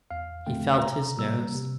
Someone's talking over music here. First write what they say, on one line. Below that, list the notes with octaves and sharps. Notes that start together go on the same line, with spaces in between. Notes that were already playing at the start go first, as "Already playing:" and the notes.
He felt his nose.
E2 F5
D3 A3 C4 G5
C3 A#5
G3 A#3 E6
C3